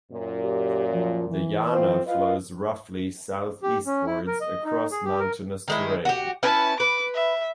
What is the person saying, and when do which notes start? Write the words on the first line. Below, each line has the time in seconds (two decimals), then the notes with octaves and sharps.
The Yana flows roughly southeastwards across mountainous terrain.
0.12 F#2 A#2
0.42 G4
0.92 F3
1.29 E3
1.70 C4 F4 C5
2.06 F4 B4 D#5 F5
3.63 G4
3.86 C#4
4.07 E4
4.27 A#4
4.41 D#5
4.65 D#4
4.92 G#4
5.05 G4
5.20 A#4
5.68 D#3 G#3 E4
6.05 F#4 G4
6.43 C#4 E4 B4 A5
6.80 B4 D6
7.14 E5